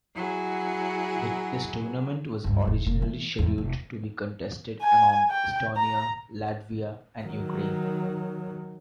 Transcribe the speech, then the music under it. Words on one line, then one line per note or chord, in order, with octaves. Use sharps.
This tournament was originally scheduled to be contested among Estonia, Latvia and Ukraine.
F#3 E4 F#4 G#4
C#2 G2
E1 E2
F1 A#3
E3 A3
E2 G#2
F1
G#5
G5
A#5
D#3 F#3